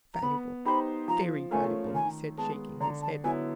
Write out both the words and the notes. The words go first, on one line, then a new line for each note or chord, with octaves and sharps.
"Valuable, very valuable!" he said, shaking his head.
A#5
B3 B5
D#4 G4 C5 B5
F3 A#5
A3 C#4 F4 A#4 G#5
D#3 G#5
G#3 B3 A5
D3 A#5
A5
F#3 B3 E4 G#5